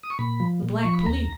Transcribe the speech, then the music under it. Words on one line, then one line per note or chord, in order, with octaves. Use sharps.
The Black Police.
D#6
C#6
A#2 B5
F3
A#2
F3 C#6
B5
D#2 A#5